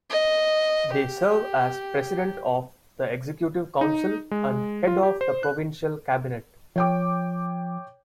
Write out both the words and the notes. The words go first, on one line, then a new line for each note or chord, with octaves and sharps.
They serve as President of the Executive Council and head of the provincial Cabinet.
D#5
G4
D#4
G#3
F4
G4
C5
F#6
F3 C#5 G5 D6